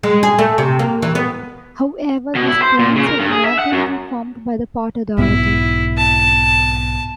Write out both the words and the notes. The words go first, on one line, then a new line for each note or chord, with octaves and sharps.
However, these plans have not been confirmed by the Port Authority.
G#3
G#4
A3
C3
A#3
E3
B3
B2
E4
C5
A#2
C#3
A#4
G2
G#4
E5
F#5
F#2
B1 G#2 B3 E4
A5